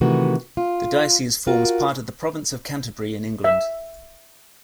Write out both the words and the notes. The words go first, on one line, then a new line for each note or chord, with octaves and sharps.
The diocese forms part of the Province of Canterbury in England.
C3 D#3 E3 A3 B3 F#4
F4
F4 F#4 A#4
E5